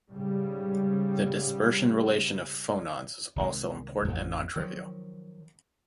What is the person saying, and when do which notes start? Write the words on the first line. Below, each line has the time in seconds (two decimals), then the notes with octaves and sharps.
The dispersion relation of phonons is also important and non-trivial.
0.11 G#2 C#3 G3
3.36 C2 D#3 G#3
4.04 A1 F2
4.56 D#3 F3 F#3